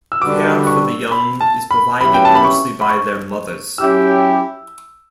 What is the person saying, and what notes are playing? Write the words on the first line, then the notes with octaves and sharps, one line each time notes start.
Care for the young is provided mostly by their mothers.
E6
D3 G3 D4 F#4 B4 D6
C#6
B5
A5
B5
F#3 C#4 E4 G4 B4 B5
G5
A5
B5
C#6
B5
C#6
F#3 C#4 E4 G4 E6